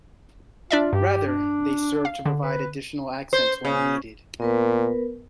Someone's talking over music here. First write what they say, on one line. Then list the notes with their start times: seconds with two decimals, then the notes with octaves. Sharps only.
Rather, they serve to provide additional accents when needed.
0.71 D4 F4 D5 E5
0.93 G2 G4
1.26 D4
2.05 F5
2.26 D3
2.43 B4
3.33 C5
3.65 C#3
4.40 A#2 B3 A#4 B4